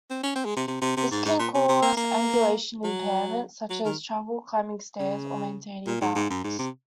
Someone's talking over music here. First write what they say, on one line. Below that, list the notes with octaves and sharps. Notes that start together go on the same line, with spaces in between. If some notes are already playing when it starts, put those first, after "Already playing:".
This can cause ambulation impairment, such as trouble climbing stairs or maintaining balance.
C4
C#4
C4
G#3
C3
C3
C3
C3
G#2
G#2
A#2
C3
C3
A#3
A#3
F#3
F#3
D#3
C#3
A#2
G#2
G#2
F#2
G#2
C3